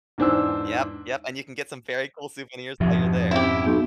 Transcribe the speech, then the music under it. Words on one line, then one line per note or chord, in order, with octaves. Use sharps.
Yep. Yep. And you can get some very cool souvenirs while you're there.
E2 G#2 D4 C5 G#5 E6
F2 G#2 B2 F3 G4 E5
C4 C#4 E4 G4 F5
B1